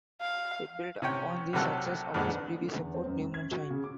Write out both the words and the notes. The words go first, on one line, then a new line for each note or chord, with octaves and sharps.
It built upon the success of his previous effort, "New Moon Shine".
F5
C3 C#4 C#5 G5
A#1 C3 F#3 A4 G5 F#6
F2 A#2 D3 G#3 B3 D4
D3
E2
C4
F#2
C#2
G#6
F#4
C#3
D6